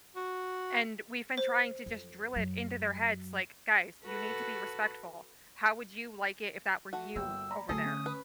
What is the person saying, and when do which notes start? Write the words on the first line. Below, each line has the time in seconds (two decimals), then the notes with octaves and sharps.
And we've been trying to just drill it into their heads, like, "Guys, you need to be respectful. How would you like it if that were you over there?"
0.16 F#4
1.38 C5
1.86 F2
2.36 F#2 F#3
4.05 F#4 A4 B4
6.93 A3 F#4
7.16 G1 A#3 G5 E6
7.50 D5 A#5 B5
7.69 D3 F#3 A3 G#4 A4 D#6
7.85 C#4
8.06 B4